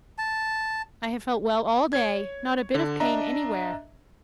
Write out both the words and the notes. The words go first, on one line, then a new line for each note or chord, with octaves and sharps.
I have felt well all day; not a bit of pain anywhere.
A5
C#5 G#6
D3
D4 D#5 E5 A#5